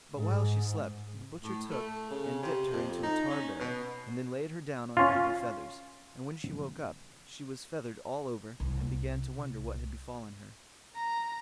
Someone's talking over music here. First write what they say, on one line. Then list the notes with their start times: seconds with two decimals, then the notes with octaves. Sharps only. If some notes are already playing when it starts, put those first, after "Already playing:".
But while she slept, the butcher took and dipped her into a tar-barrel, and then laid her down on a heap of feathers; and when she woke up, she was feathered all over, and began to wonder what had befallen her.
0.16 G#2
1.43 A2
1.70 A3
2.10 C#3
2.42 C3
2.72 F2
3.03 D#4
3.30 C#4
3.60 B2
4.97 C#4 F4
8.60 C2
10.96 A#5